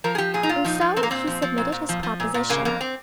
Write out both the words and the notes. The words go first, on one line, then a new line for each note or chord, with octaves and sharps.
And so he submitted his proposition.
F3 A#4
G#4
F3 G4
A#2 G#4
D#4
A#2 F4
F3 D#4
F3
A#2 C4
A#3
A#2 C4
F3
F3
A#2
A#2
F3
F3
A#2
A#2
C#3 A#3
F2 A#3
C4